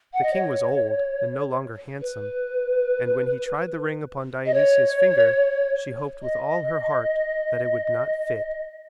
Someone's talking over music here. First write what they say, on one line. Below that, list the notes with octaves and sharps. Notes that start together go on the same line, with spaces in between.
The king was old and no longer handsome, and when he tried the ring upon Dionysia's finger she hoped with all her heart that it would not fit.
F#5
D#5
C#5
B4
D#5
C#5
D#5